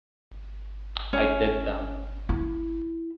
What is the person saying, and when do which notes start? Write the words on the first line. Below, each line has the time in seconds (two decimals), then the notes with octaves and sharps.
I did them.
1.13 C#4
2.29 E4